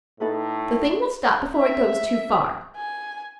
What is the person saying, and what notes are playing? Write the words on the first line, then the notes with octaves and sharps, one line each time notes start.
The thing must stop before it goes too far.'
A2 D#4 A4 B4
E5
G#5